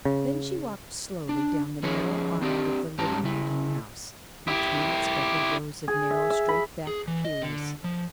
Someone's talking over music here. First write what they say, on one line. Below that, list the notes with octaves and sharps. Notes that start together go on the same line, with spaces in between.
Then she walked slowly down the narrow aisle of the little meeting-house, between its double rows of narrow straight-backed pews.
C#3
D4
F3 C#4 G#4 B4 C#5
C4 D4 G4 D5
G#2 C#4 G4 A5 A#5
C#3 E4
E4 G4
G#4
E5
E5
B5
G#4
E3
D#5
D3
F3